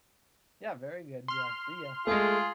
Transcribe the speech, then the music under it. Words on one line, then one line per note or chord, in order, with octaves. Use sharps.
Yeah, very good, yeah. See ya.
C6 F6
G#3 A3 F4 G#4